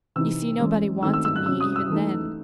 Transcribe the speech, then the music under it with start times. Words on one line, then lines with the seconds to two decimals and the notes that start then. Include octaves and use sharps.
You see, nobody wanted me even then.
0.16 C3 E3 C4 D#4 E6
0.59 E3 G#3 C#4
1.02 D#3 A3 C4 E6
1.13 E6
1.25 E6
1.36 F#6
1.46 C3 F#3 C#4 E6
1.60 D#6
1.76 E6
1.90 E3 A3 D#4